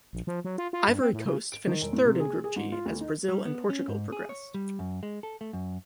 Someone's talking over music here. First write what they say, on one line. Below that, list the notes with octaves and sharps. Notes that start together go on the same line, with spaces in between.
Ivory Coast finished third in Group G, as Brazil and Portugal progressed.
A#1
F3
F#3
F4
F4
G2
C4
A2
C#3
D7
D#3
E1
A2
C3
G#4
G#4
G#2
F4
D2
D#4
G3
B3
C#4
G#2
G#4
C#5
G3
F#2
G#3
A4
A3
F#2